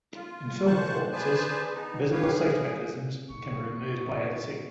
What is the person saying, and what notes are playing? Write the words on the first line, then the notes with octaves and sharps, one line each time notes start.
In filmed performances, visible safety mechanisms can be removed by editing.
F4
A#2 C5 A5 C#6 F#6
G#4 B4 C5 D5 G#5 A5
B3 D#4
G4 B4 C#5 F5
G#4
F2 A#2 D#4 C#6